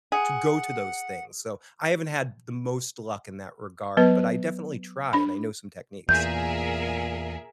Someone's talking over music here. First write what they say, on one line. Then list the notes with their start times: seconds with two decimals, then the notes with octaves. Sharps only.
to go to those things. So I haven't had the most luck in that regard, but I definitely try, and I know some techniques.
0.12 G#4 F#5
3.97 F#3 B3 B4
5.13 D4 B5
6.09 E2 A#2 G#4 A#4 E5 G6